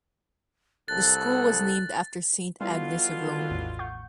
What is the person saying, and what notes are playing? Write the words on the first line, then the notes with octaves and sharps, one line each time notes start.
The school was named after Saint Agnes of Rome.
C2 A4 F#6 A6
B2 D3 G3 B3 E4 F4
D#3 A4
A1 E2 A2
F#5 C#6 G6